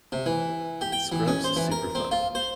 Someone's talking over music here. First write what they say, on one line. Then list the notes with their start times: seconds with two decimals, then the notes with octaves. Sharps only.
Scrubs is super funny,
0.12 C3
0.26 E3
0.81 G4
0.92 G5
1.12 E3
1.28 C#4
1.44 C5
1.56 E3
1.71 A#4
1.95 C4
2.11 F4
2.35 C5